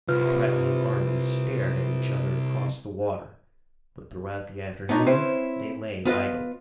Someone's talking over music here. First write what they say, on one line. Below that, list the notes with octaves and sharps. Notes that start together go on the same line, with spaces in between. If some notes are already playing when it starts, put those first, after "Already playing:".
The threatening armies stared at each other across the water, but throughout the afternoon they lay idle.
C2 F4 B4 F6
B3 D4 D#4 C#5
C4 C#4 E4 B4 C5
B3 F4 B4 D#5